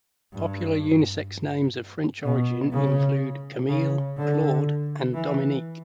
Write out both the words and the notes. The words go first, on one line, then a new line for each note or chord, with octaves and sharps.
Popular unisex names of French origin include Camille, Claude, and Dominique.
G2
B2
C#3
C#3
D3
E3